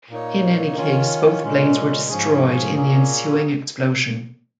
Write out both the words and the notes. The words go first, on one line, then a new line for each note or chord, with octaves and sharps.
In any case, both planes were destroyed in the ensuing explosion.
A#2 A#3 D#4 C#5
D#3 C#4 F4 C#5
A#2 G#3 C#4
G#2 F3 C#4 G#4
A#2 A#3 C#4 G#4